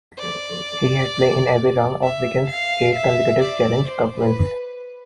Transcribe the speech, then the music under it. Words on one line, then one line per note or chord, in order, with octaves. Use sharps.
He had played in every round of Wigan's eight consecutive Challenge Cup wins.
D5
E5
F5
E5
D5
C5
B4